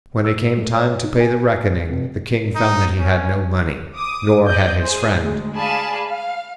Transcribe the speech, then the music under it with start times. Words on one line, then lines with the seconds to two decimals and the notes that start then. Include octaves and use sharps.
When it came time to pay the reckoning the king found that he had no money, nor had his friend.
0.25 E6
0.58 A3
0.73 C#5
1.02 D#4
1.20 G#5
1.89 F1
2.55 D#4
2.97 C#4
3.95 D6 D#6
4.47 D5 D#5 G6
4.80 G#4 C5
5.20 D2 G#3
5.56 G#4 D5 F5 G#5 A5 B5
6.05 F5